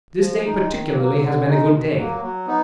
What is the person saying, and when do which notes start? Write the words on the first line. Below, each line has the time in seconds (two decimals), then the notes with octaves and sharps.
This day particularly has been a good day.
0.18 F3
0.43 G#3 D#4
0.70 D#3
0.94 F#3 A#3
1.20 D3
1.45 G#3 D#4
1.71 B2
1.96 F#3 A#3
2.21 F#3
2.47 B3 D#4